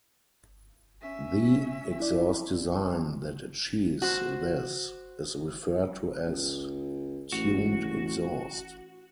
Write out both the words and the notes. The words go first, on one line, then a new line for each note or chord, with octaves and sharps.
The exhaust design that achieves this is referred to as "tuned exhaust".
C#4 E5
E4 D5
F#4 C5
C#2
A1 F#4